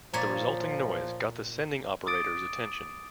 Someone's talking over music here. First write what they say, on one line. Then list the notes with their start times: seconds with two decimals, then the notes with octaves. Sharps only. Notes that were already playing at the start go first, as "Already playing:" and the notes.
The resulting noise got the sending operator's attention.
0.14 A#2 F3 C#5 A#5 A6
2.06 D6 D#6 A6 D7